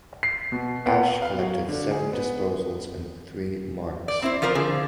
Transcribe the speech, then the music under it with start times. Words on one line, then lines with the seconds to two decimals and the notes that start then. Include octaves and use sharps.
Ash collected seven disposals and three marks.
0.23 C7
0.52 B2
0.86 B3
1.22 F5
1.39 F#3
1.68 D3
1.91 G#4
2.13 B3
4.08 D5
4.22 C4 E4 C5
4.42 F3 F4 A#4 C5 D5
4.55 D3 F3 G#4